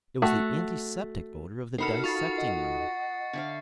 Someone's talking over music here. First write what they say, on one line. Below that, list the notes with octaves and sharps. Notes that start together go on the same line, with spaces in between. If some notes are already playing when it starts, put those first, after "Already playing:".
It was the antiseptic odour of the dissecting-room.
A3 F#4
D#4 F#4 A4 A#4 B5 F6 C7 C#7
F4 C#6 A6
D#5 F#5
D3 E5 F5